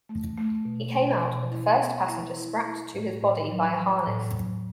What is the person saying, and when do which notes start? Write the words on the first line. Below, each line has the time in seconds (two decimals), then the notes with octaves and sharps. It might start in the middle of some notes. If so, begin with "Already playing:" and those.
He came out with the first passenger strapped to his body by a harness.
0.09 A3
0.38 A3
0.65 B2
0.95 B2
1.23 B2
1.51 E4
1.80 B3
2.08 E4
2.37 E4
2.65 E4
2.94 A2
3.23 A2
3.51 F#3
3.79 F#3
4.07 A2
4.37 F#3